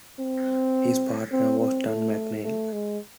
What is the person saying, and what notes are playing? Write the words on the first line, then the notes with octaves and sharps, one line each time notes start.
His partner was Don McNeill.
C4
C4
C4
A3
A3
G#3